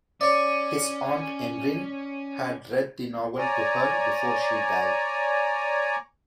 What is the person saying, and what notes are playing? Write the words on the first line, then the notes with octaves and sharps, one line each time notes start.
His Aunt Emrine had read the novel to her before she died.
C#4 C#5 D5
C#5 D5 G#5 A#5